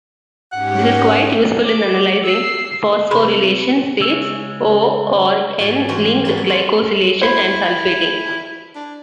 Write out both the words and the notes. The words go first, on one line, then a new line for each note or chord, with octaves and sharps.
This is quite useful in analyzing phosphorylation states, O- or N-linked glycosylation, and sulfating.
G#2 C#4 G4 F#5
D6
E6 C7
C3 E3 G#4 B5 C6
C#3 G#3 E6
G#2 F#3 F#4 C#5 D5 G#5
E3 C#4 F#4 C5 A#5 C6
G#3 A#3 B3 F#4 A4
C#5
C4 D#4 F4 F#4 A4 F5
E4 C5 B5
D4